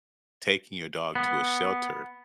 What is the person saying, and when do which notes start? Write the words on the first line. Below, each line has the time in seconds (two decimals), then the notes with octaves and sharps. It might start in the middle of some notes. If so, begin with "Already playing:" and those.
taking your dog to a shelter
1.15 B3